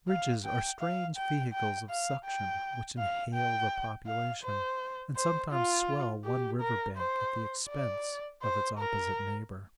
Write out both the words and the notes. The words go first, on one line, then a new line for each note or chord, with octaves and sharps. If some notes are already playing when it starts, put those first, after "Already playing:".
Bridges are strange vehicles of suction, which inhale the population, and sometimes swell one river-bank at the expense of its opposite neighbour.
F5
G5
F5
G5
G5
F5
G5
F5
G5
F5
C5
C5
F4
G4
A#4
C5
D5
C5
A#4